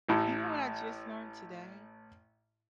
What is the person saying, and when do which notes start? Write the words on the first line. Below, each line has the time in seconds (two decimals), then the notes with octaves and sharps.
you know what I just learned today?
0.08 A1 A2